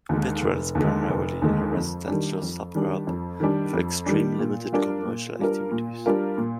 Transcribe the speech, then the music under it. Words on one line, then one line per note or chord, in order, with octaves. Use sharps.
Bidwill is primarily a residential suburb with extremely limited commercial activity.
D#2 D3 G#3
F1
D#2 D3 G#3
F1
D#2 D3 G#3
F2
D#3 G3 D4
F2
D#3 G3 D4
F2
D#3 G3 D4
F2
D#3 G3 D4
A#2
G3 D4 F4 A#4
A#2
G3 D4 F4 A#4
A#2
G3 D4 F4 A#4
A#2